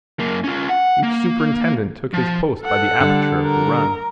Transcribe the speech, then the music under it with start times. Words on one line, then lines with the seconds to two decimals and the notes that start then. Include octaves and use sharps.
Each superintendent took his post by the aperture of the run.
0.19 F#2 A#3
0.44 C#4 F4
0.69 F#5
1.03 A#3
2.14 F3
2.63 A4 F#5
3.00 D3 G3
3.41 A#4 A#5